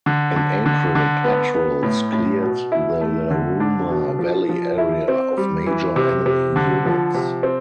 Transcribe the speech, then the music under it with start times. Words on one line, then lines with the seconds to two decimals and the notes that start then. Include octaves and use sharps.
In April patrols cleared the Laruma Valley area of major enemy units.
0.06 D3
0.36 D3
0.66 D3
0.95 D3
1.24 B3
1.54 B3
1.83 A2
2.13 A2
2.42 B2
2.72 E4
3.01 A3
3.30 D3
3.60 D4
3.90 B2
4.19 F3
4.49 F3
4.78 E4
5.08 C4
5.37 G3
5.66 E3
5.96 C3
6.26 C3
6.56 D3
6.85 F3
7.14 C3
7.43 C4